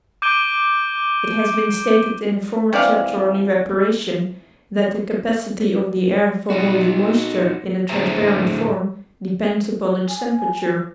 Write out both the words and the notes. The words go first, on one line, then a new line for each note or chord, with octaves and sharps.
It has been stated in a former chapter on evaporation that the capacity of the air for holding moisture in a transparent form depends upon its temperature.
D6 G6 D7 D#7 G7
C3 E3 D5 F5
D#4 F#4
A2 D3 G#4 C5 E5 A#5
G#5